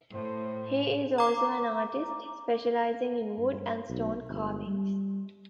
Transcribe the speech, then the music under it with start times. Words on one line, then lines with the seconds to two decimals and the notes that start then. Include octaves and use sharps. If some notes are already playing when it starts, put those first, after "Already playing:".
He is also an artist, specializing in wood and stone carvings.
0.14 A2 C5
1.18 A#5 D6
3.37 G2
3.89 B1
4.29 G1
4.67 G3